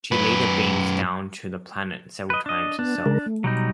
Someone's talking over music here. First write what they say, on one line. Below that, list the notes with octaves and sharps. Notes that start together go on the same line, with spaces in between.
She later beams down to the planet several times herself.
F#2 B4
B4 D#5
D4 D#5
B3 D4
C#3 G#3 A#4
A3
B2 F#3 G3 D#4